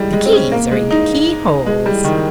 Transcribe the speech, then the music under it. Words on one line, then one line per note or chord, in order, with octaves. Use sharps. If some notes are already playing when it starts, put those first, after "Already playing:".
The keys are in the keyholes.
Already playing: G3 G#3
G#3
C4
C#4
A#3
G#3
D#4
G#3
G3
D#3